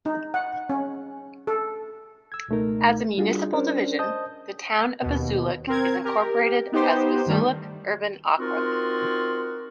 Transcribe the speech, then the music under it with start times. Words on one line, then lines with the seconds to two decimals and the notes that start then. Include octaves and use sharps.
As a municipal division, the Town of Buzuluk is incorporated as Buzuluk Urban Okrug.
0.06 D#4
0.34 F#5
0.70 C#4
1.47 A4
2.32 E6 G#6
2.48 C#2 B2 A3 D#4 A#4
3.18 G3 D4 F4 F#4 G#4
3.53 C#4 D4 A#4 C5 D5
3.99 C5 D#5 A5 D#6 G6
5.02 D#2 B2
5.67 C4 A#4 G#6
6.05 G4 A#4
6.72 B3 D#4 G4 C5
7.26 G2 D#3 G3 A3
8.39 C4 D#4 F4 F#4 A#4